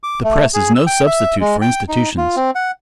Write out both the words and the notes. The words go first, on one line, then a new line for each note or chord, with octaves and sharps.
The press is no substitute for institutions.
D6
A3
G#4
E6
G5
E5
G#3
G5
D#4
F4
C4
F#5